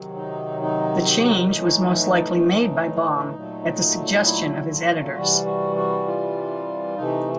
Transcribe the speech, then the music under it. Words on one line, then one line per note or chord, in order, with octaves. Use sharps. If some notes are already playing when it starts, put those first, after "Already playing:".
The change was most likely made by Baum at the suggestion of his editors.
Already playing: C3 D#3 F#3
D#4
D#4
A2 E3 A3
A#2 F#3 A3
E4
F4
C3 E3 G3 F#4
F#4
F#4
F4
C3 E3 A3 D#4